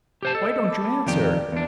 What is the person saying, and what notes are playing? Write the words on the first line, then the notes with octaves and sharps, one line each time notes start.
Why don't you answer?
G4 C5 A5
A4 D#5
A5 B5 D6
F2 D#3 G4 D5
E2 D4